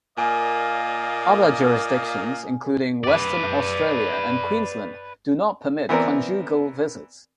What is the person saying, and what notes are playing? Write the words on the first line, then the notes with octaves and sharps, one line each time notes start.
Other jurisdictions, including Western Australia and Queensland, do not permit conjugal visits.
A#2 A#3 D5 D#5 F5 G#5
B4 D5
E3 B3 C4 A#4 D5